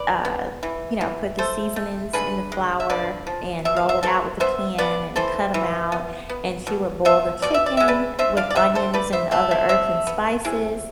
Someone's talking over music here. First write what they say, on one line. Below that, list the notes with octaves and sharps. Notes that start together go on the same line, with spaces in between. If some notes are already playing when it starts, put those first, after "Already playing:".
um you know, put the seasonings in the flour and roll it out with a pan and cut 'em out, and she would boil the chicken with onions and other herbs and spices,
Already playing: B4 D5
B3
E3
E3
A3 A4 C5
A3
D3 G#4 B4
G#3
E5
D3 B4 D5
F3
B2 E5
F5
C5 E5
B2 A4 C5
B3 C5 E5
B3 B4 D5
E3 A4 C5
E3
B3
B3
B2
B3 C5 E5
B2 D5
E5
D5
G#3 E5
B4 D5
D3 C5 E5
D5 F5
D5
D3 C5 E5
A4 C5
A3 B4 D5
C5 E5
A3 C5 E5
C5 E5
C3 C5 E5
B3
C3 E4 G#4